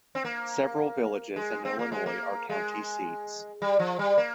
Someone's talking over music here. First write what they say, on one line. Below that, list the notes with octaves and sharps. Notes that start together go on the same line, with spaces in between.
Several villages in Illinois are county seats.
C4
A#3
G#3
C4
A#3
G#3
A#3
G#3
G3
F3
G3
A#3